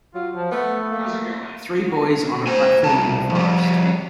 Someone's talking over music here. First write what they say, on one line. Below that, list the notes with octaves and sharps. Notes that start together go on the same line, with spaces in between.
Three boys on a platform in the forest.
F#3 F4
F3
A3 B3
A#3
C5 G#5
C2 A5
F3 G3